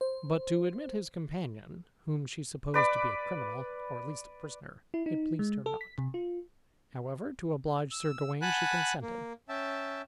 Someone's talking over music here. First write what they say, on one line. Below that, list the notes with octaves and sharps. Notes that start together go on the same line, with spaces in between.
But to admit his companion, whom she supposed to be a criminal, or at least a prisoner, it pleased her not; however, to oblige Sir Gawain, she consented.
C5
B4 D5 B5 D6
E4
D#4
G#3
A4
B6
C3
F4
E6
F#5 G#5 A5 B5 F#6
A#3
C#4 E5 G5 A5